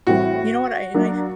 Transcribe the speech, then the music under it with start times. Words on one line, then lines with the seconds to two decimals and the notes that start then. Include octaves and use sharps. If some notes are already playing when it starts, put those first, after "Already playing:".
You know what? I and I f
0.07 A2 E3 G3 C4 F#4
0.94 F#3 A#3 D4